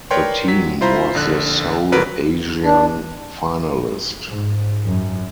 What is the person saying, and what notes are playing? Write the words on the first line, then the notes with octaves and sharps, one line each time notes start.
The team was the sole Asian finalist.
A#4 B4 C#5 D5 G5 C6
F#3 B6
E4 F4 C5 A#5 B5
A#1 D3 F#6
G#1 D3 F#3 A#4 B4 D7
D4
G#2
F#2